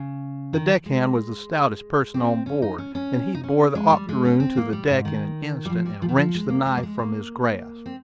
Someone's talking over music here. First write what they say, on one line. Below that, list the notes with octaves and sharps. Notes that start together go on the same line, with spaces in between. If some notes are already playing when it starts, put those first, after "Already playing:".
The deckhand was the stoutest person on board, and he bore the octoroon to the deck in an instant, and wrenched the knife from his grasp.
Already playing: C#3
D#3
G#3
C4
C#4
D#4
C#4
C#4
D#4
C#4
G#3
G3
G#3
C#4
C4
A#3
G3
G#2
D#3
G3
F3
G3
F3
D#3
F3
G#3
A#3
G#3
A#3
G#3
A#3
C4